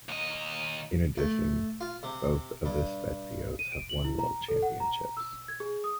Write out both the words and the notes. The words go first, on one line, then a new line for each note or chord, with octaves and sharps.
In addition, both of the Spiezios have won World Championships.
D#2 D#5
A3
F4
C3
G2
D#7
D7
F#7
E4
A#5
A4
F#5
A#5
E6
G#6
G#4
D#6